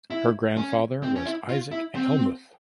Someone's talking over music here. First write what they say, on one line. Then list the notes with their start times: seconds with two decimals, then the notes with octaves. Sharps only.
Her grandfather was Isaac Hellmuth.
0.10 E4
0.57 C#4
1.03 C4
1.15 C#4
1.26 E4
1.49 F4
1.71 E4
1.95 C4